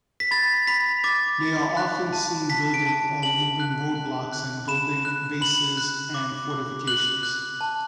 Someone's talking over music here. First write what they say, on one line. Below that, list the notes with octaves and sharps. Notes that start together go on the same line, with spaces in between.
They are often seen building or removing road blocks and building bases and fortifications.
B6
B5 A6
B5 B6
D6 A6
B5
F#6
A5
A5 B6
D7
A5
A5 F#7
F#6
F#6
F#6
B5 E7
F#6
B5 F#7
F#6
D6
D6
F#6 F#7
F#6
A5